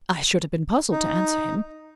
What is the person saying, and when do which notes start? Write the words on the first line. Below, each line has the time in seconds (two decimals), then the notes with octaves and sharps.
I should have been puzzled to answer him.
0.92 D#4